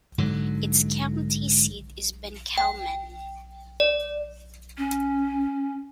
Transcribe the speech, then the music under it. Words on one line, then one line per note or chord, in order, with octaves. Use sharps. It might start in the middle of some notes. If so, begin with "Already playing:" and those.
Its county seat is Benkelman.
G#2 D3 F#3
G5
D5
C#4